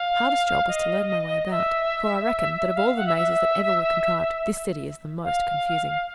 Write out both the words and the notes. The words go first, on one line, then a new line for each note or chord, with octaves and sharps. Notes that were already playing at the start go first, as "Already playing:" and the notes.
The hardest job was to learn my way about, for I reckon that of all the mazes that ever were contrived, this city is the most confusing.
Already playing: F5
D#5
E5
E5
F5
F#5
E5
E5
F5